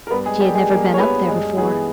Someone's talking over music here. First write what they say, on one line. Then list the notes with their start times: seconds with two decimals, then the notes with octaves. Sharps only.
She had never been up there before.
0.07 A#4
0.11 G2 B3 B4
0.26 G#3 G#4
0.40 G3 A#3 G4
0.54 G#3 G#4
0.69 G2 A#3 A#4
0.94 C#5
0.99 G3 A#3 B3 B4
1.28 G2 G#3 G#4
1.57 E3 G#3 B3 G#4